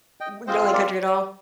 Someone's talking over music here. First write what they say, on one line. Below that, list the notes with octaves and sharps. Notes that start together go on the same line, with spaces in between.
W you don't like country at all?
D#5 G5
G#3 C4 F4 C5 D#5
A#4 D5